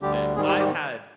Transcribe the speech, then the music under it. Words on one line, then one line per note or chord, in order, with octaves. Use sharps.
uh I've had
D2 D3 G3 G4
G#2 D#3 G3 G#4
G4
G4